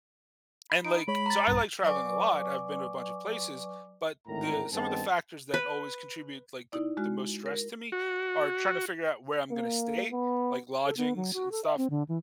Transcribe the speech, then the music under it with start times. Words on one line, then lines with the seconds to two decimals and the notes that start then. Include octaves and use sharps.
and, like So I like traveling a lot. I've been to a bunch of places, but the some of the factors that always contribute, like, the the most stress to me are tryna figure out where I'm gonna stay, like, lodgings and stuff,
0.70 B5
0.85 D#4 D7
1.08 G#3 C#5 B5
1.26 A#5 A6
1.48 A#1 G2
1.83 F#3 B4 D5 G#5 C#6 D6
4.27 G#1 D2 A2 A#4 A#5
4.73 G2 D#3 B3 C4 G#4 A5
5.54 B4
6.72 D#4 E4 D5
6.97 G#3 F#4 F6
7.46 A#4
7.92 F#4
9.51 A#3
10.12 B3
10.85 A4
10.97 B3
11.16 F#3
11.33 F#4
11.51 A4
11.65 E5
11.77 C4
11.90 D3
12.08 E3